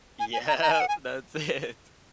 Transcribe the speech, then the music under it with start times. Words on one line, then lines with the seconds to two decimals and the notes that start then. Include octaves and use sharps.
Yep, that's it.
0.20 G#5
0.33 G#5
0.48 A#5
0.63 A#5
0.71 G#5
0.80 F#5
0.88 G#5